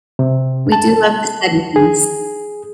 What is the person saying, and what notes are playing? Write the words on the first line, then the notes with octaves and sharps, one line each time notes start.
we do love to study things.
C3
A5
G#4